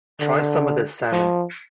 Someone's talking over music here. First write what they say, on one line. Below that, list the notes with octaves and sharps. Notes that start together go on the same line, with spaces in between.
Try some of this salmon.
D3
F3